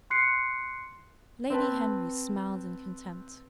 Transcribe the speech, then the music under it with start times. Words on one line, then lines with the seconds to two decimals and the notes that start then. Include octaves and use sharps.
Lady Henry smiled in contempt.
0.10 C6 F#6 C7 C#7
1.50 C4 B4 A5